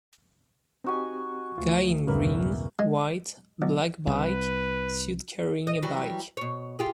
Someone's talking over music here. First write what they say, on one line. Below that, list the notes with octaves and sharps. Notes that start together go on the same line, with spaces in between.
Guy in green, white, and black bike suit carrying a bike.
C4 D#4 F#4 G4 G#5
D2 F4
B1 E2 G2 C#3 A#3 B4
G#3
B1
C2 B4
D#5
E3 F#3 G3
B2 C#5
F4 G4 G#4